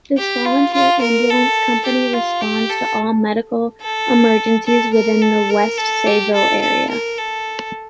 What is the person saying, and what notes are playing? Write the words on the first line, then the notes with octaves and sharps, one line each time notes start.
This volunteer ambulance company responds to all medical emergencies within the West Sayville area.
G4
F4
F4
A#4
A4
G4
F4
G4
A4
A4
A4
A#4
A4
A#4
A4
G4
A4
A4
A#4
A4